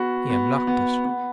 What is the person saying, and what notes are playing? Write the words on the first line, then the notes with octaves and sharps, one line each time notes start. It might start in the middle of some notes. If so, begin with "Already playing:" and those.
He unlocked it.
Already playing: B3 F#4
B3
B3
B3